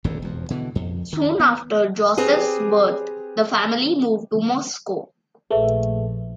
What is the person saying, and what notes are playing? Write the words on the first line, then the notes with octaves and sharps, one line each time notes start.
Soon after Joseph's birth, the family moved to Moscow.
D#1 G#1 F2 D3
E1 F2
B2 D3 E3
F2
D#3
B3
C4 G4 G#4 B4
A#1 A3 G#4 B4 E5